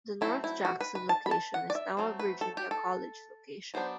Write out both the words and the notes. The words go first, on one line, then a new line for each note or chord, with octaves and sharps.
The North Jackson location is now a Virginia College location.
F#3 A3 C4 E4
E4
F#4
B4
B4
A5
B5
A5
F#5
D5
E5
F#3 A3 C4
B4
A4
G4
A4
F#3 B3 D4 C5